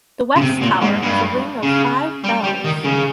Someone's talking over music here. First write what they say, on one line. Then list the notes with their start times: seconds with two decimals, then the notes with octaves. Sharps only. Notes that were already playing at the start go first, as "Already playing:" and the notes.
The west tower has a ring of five bells.
0.36 C#3
0.41 C3
0.61 A#2
0.81 G#2
1.03 G2
1.63 C#3
2.24 G3
2.44 G3
2.65 D#3
2.84 C#3